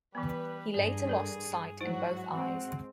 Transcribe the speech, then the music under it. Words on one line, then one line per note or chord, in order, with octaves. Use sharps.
He later lost sight in both eyes.
E3 G3 B3 B4
G2 G#4 D5
A4 A#4 D5
G#2 F#3 D#4 E4 F#4 C5
G#3 C4 F#5